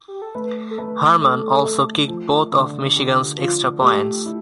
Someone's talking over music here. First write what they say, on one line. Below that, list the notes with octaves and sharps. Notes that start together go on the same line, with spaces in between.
Harmon also kicked both of Michigan's extra points.
G4
A4
A3 B4
A4
A3 B4
A3 A4
A3
F3
D3
D3 G4
A4
G4
F3 F4
A3 G4
E4